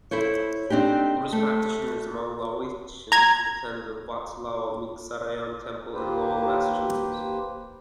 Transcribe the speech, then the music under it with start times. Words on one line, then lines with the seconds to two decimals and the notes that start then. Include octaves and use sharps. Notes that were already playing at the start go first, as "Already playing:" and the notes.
Buddhist practitioners among the Laotians attend the Wat Lao Mixarayam Temple in Lowell, Massachusetts.
0.11 E4 A4 C5 C#5
0.70 C4 D4 D#4 G4
1.32 A3
3.12 A#5 G#6
5.92 D#2 A#3 G4 B4 C5